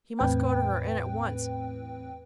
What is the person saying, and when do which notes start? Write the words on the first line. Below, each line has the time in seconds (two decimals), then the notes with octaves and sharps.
He must go to her, and at once.
0.19 E2 A2 C4 B4 G5